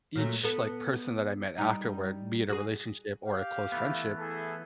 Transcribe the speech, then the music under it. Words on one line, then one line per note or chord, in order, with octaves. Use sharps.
each, like person that I met afterward, be it a relationship or a close friendship
A#2 F#3 A3
B3 A4
G3 D#4
F#4 G#4
G4 F5
E3 A3 B3
E4 G#4 A4